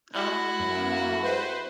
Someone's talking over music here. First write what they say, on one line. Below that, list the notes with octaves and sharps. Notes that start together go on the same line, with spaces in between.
Oh, no.
E4 F#4
F#2
B4 C5